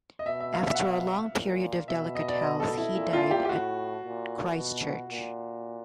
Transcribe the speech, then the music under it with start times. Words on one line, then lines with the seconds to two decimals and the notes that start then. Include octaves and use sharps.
After a long period of delicate health he died at Christ Church.
0.19 D#5
0.26 B2 E5
0.40 E5
0.53 F5
0.67 E5
0.75 F#5
0.81 F5
1.34 A#2
1.88 B2 E5
2.15 D#5
2.28 D5
2.42 D#5
2.60 A4
2.77 E4
2.95 A#2 E4
3.13 F4
3.31 G4
3.45 G4
3.49 A2 F#4
4.03 A#2
4.57 B2
5.11 A#2